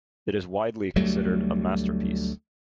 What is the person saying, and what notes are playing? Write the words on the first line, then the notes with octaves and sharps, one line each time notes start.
It is widely considered a masterpiece.
D2 F#3 G3 A3